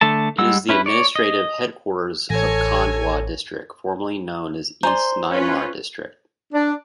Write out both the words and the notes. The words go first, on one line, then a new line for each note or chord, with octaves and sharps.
It is the administrative headquarters of Khandwa District, formerly known as East Nimar District.
D3 A3 A4 A5
G3 G#3 F#5 E6
C#4 E4 B4
C#5 D5
D#5
A1 A4 C#5 G#5 A#6
C5 D5 G#5 A#5 C6
C#4 F4 B4
D4